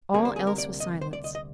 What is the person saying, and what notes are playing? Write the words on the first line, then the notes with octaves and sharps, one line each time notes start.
All else was silence.
D2 C3 G3 A#3 G#4
C5
G#4
A#4
D5
D#5
C5
D5
D#5
D#5